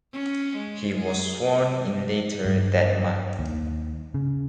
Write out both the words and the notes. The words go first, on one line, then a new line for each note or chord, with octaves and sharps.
He was sworn in later that month.
C#4
G#3
G#4
G2
D#2
C#3